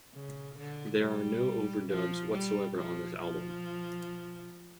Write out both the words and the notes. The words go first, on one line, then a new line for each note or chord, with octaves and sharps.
There are no overdubs whatsoever on this album.
C#3
D3
G3
F3
G3
F3
F3